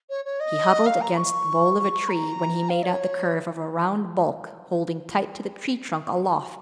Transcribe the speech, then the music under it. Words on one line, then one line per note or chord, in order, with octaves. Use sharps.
He huddled against the bole of a tree when he made out the curve of a round bulk holding tight to the tree trunk aloft.
C#5
C#5
D#5
F5
A#5
C#6
A#5
F5
C#5